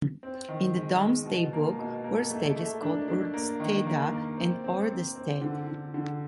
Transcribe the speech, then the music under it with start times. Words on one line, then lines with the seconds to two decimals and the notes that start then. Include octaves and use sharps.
In the Domesday Book, Worstead is called "Wrdesteda" and "Ordested".
0.23 C4
0.48 D#3
0.74 G#3
1.01 G#3
1.26 B2
1.53 A#3
1.79 B2
2.04 A#3
2.30 A3
2.56 A3
2.82 D4
3.08 D4
3.34 A#3
3.60 D#3
3.86 A#3
4.13 A#3
4.37 C4
4.64 C4
4.90 C4
5.16 C4
5.41 D3
5.67 D3
5.94 D3